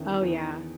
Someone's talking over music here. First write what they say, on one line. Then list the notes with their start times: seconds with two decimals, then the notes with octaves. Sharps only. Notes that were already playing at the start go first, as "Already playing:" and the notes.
Oh, yeah.
Already playing: E2 D#3 C#4 E4
0.22 E2 D#3